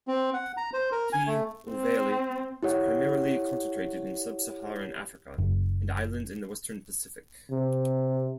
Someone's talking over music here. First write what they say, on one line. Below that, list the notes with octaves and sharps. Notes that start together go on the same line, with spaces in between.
"P. ovale" is primarily concentrated in sub-Saharan Africa and islands in the western Pacific.
C4
F#5
A#5
C5
A#4
G#5
A3
C4
E4 G4 C#5 F#5
F#1
C3